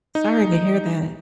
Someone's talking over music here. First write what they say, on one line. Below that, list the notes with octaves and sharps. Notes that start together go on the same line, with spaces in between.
sorry to hear that.
D#4